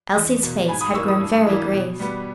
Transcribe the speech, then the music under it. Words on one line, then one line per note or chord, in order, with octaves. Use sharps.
Elsie's face had grown very grave.
E2
B2 A#3
G#2 G#5 B5
B5 D#6
E3 A#3 C#6 E6
B5 D#6
G2
E3 G3 A#3
B2
G3 B3